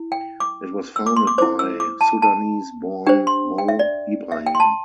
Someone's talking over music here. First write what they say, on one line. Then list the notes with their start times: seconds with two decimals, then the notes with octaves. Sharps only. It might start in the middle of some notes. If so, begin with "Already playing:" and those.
It was founded by Sudanese-born Mo Ibrahim.
Already playing: E4
0.12 G5
0.40 D6
0.96 E6
1.06 D6
1.17 C6
1.27 D6
1.38 C5 D6
1.42 E4
1.59 E6
1.80 D6
2.01 A5
2.22 A5
3.06 D4 G4 C5 G5
3.27 C6
3.58 G5
3.68 E5
3.79 D5
4.32 E5
4.46 G5
4.55 C6
4.60 A5